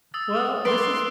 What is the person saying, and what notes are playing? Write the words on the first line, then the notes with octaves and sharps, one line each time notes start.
Well, this has
D#6 E6 A6
B4 C6 D6 F#6 D7